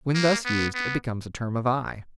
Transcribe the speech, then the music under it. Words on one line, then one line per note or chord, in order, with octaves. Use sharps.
When thus used it becomes a term of eye.
A#3
B3
B3